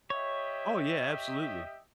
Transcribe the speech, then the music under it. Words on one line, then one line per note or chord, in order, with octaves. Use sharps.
Oh, yeah. Absolutely.
G4 C#5 D#5 E5